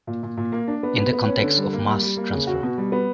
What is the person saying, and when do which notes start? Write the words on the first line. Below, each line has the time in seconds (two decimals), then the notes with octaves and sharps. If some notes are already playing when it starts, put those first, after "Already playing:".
In the context of mass transfer.
0.07 A#2
0.23 A#2
0.37 A#2
0.52 A#3
0.68 D4
0.83 B3
0.98 B3
1.13 B3
1.27 C#4
1.42 D3
1.57 G3
1.73 A#3
1.88 G3
2.02 G3
2.17 A#3
2.33 C#3
2.47 F#4
2.63 B2
2.78 G3
2.92 B3